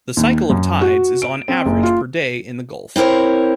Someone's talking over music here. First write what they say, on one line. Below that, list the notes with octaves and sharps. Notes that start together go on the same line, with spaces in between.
The cycle of tides is on average per day in the Gulf.
D#2
F#2
F#4
D7
C4
F#1
F4
C4 E4 A#4 C5 C#5